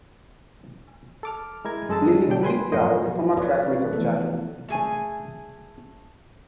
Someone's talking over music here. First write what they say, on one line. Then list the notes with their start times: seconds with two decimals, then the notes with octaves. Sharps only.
Lilly Pulitzer was a former classmate of Jackie's.
1.23 A4 D6 F6
1.65 G#3 E4 A#4 G#6
1.89 F#2 G#3 A4 A5 E6 A6
2.28 B2 D3 F#3 D4 G5
2.43 B4 G#5 C6
2.72 F#2 A2 F3 A3 C5 D#5
3.05 F3 F#3 A4
3.37 F#4 B4 C#5 D5
3.73 B4
3.93 E3 F3 A3 B3 E4 A4
4.68 A3 G#4 G#5